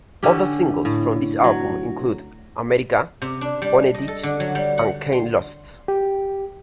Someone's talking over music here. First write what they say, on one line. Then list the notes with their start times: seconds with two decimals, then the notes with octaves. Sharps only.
Other singles from this album include "Amerika", "Ohne dich" and "Keine Lust".
0.23 D3 C#4 G4
0.85 A2
1.44 F#3
3.22 C3
3.41 D4
3.62 G3
3.95 D#5
4.08 A4
4.23 D3
4.40 F#3
4.55 G3
4.78 F#5
5.12 C6
5.88 G4